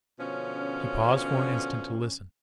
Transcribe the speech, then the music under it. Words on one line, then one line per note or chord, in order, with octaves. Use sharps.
He paused for an instant to listen.
B2 D3 F3 C#4